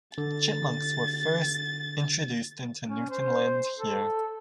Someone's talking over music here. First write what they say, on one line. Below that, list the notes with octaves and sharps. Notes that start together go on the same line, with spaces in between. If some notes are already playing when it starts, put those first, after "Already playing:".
Chipmunks were first introduced into Newfoundland here.
D3 A6
C#4
C5
A4